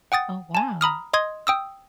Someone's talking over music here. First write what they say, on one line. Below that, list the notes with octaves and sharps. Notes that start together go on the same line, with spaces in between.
Oh, wow.
F#5 G5 D#6 A6
G#5 A5
A#5 B5 D#6 F6
D#5 C6 D#6 G#6
G5 D#6 E6